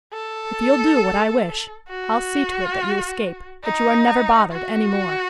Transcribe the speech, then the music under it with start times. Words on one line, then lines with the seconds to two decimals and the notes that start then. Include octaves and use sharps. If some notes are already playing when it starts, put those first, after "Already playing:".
"If you'll do what I wish, I'll see to it that you escape--that you are never bothered any more."
0.13 A4
1.89 F#4
3.64 D#4
4.52 F#4